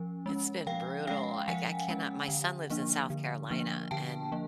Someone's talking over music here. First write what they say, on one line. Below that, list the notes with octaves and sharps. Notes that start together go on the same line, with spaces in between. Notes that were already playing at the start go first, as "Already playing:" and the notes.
It's been brutal. I ca I cannot My son lives in South Carolina, and
Already playing: F3 C#4
G#3 C#4
F3 F5 G5
G#3 C#4 F5 G5
F3 F#5 G#5
G#3 C#4
D3
F3 A#3 D4
D3
F3 A#3 D4
D3 G5 A5
F3 A#3